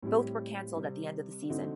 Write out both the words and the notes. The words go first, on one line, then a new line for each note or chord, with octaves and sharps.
Both were cancelled at the end of the season.
A2 G3 C4 G4
C3 G3 C4
D3 A3 C4 D#4 F#4